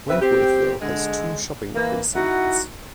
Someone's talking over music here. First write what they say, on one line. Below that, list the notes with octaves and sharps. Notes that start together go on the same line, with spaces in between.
Wentworthville has two shopping precincts.
C#3 C4 B4 E5
C4 G4
D3 G#3
E3 A#3
D#4 E4 F#4 F#5